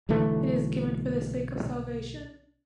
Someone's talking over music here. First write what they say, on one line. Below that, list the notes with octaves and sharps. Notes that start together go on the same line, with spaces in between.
It is given for the sake of salvation.
B1 D3 E3 A3